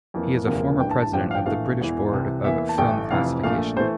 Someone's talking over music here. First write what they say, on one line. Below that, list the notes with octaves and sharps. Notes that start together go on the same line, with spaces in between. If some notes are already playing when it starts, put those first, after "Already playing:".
He is a former president of the British Board of Film Classification.
F2 E3 A#3
E1 D2 C3 F3 A#3
A1 G2 E3 G5
A5
A5
A1 G2 D3 F3 G5
F5
G5
A#1 A2 E3 A3 F5
E1 E2 E3
C2 C3 E3
E2 E3 A#3 E5
A5
A1 G2 D3 A3 G5
F1 F2 C3 E3 F5
A#1 A#2 A3 F5
E3 A3 C5